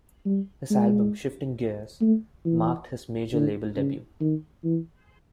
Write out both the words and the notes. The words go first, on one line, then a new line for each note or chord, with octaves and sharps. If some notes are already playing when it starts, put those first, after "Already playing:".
His album "Shifting Gears" marked his major-label debut.
G3
G#3
A3
E3
D3
C#3
D#3
E3